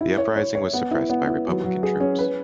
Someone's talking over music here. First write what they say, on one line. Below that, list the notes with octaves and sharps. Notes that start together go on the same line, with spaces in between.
The uprising was suppressed by republican troops.
E4
C#5
C#5
C#5
B3
E4
B3
E4
F#3
F#3
G#4
C#4
B4